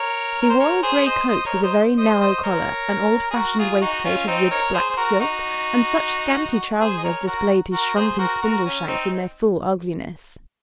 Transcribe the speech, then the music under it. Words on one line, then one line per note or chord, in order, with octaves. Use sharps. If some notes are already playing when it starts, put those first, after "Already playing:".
He wore a grey coat with a very narrow collar, an old-fashioned waistcoat of ribbed black silk, and such scanty trousers as displayed his shrunken spindle-shanks in their full ugliness.
Already playing: A#4 C#5
A#4
C5
A#4 C#5
G#4 C5
C5 D#5
C5 D#5
A#4 C#5
C5 D#5
C5 D#5
C5 D#5
A#4 C#5
G#4
F#4 A#4
F4 G#4
D#4 F#4
C#4 F4
C4 D#4
A#4 C#5
G#4 C5
C5
F#4 A#4
D#4 F#4
G#4 C5
D#5
A#4 C#5
F#4 A#4
F#4 A#4
G#4 C5
F#4 A#4
F#4 A#4
C#4
C4 D#4